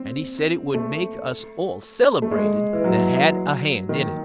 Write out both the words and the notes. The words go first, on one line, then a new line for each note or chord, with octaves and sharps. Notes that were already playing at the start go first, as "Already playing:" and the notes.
And he said it would make us all celebrated that had a hand in it.
Already playing: C4
A3
A3
G#3
E3
F#3
D#3